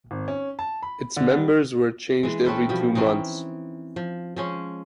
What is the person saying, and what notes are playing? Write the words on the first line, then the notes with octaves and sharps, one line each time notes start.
Its members were changed every two months.
G#1
C#4
A5
B5
D3
G3
E3 G#3
C4 C#4 A4 B4
B2 F3 G3
E3 C4 C#4 D#4
F3
F3 G#3 C#4